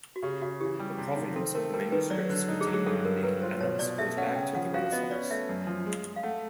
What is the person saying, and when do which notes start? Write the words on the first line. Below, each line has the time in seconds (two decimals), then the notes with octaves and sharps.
The provenance of the manuscripts containing the "Annals" goes back to the Renaissance.
0.16 F#4
0.23 C#3 G4
0.41 C#3 F#4
0.61 E3 G4
0.79 G3
0.98 C3
1.16 D#3
1.36 C4 A4
1.55 A3 A#4
1.74 G3 A#4
1.92 D#3 B4
2.10 F#3 D5
2.30 D3
2.48 D#4
2.61 G#4
2.67 F#3
2.74 G#4
2.87 G2 A4
3.05 G2 A#4
3.23 F#3 B4
3.42 F4 C5
3.60 B2 C#5
3.79 B2 D5
3.98 A3 E5
4.17 C#4 F#5
4.35 C#3 G5
4.55 F3 F#5
4.74 F#4 F5
4.92 B3 D#5
5.11 C#4 D5
5.30 A3 E5
5.49 F#2
5.67 F3
5.86 G#3
6.05 G#3
6.16 F5
6.23 A3 F#5